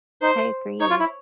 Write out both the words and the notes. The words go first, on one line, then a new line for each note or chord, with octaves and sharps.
I agree,
D#4 C5
D#4 C#5
F4
E4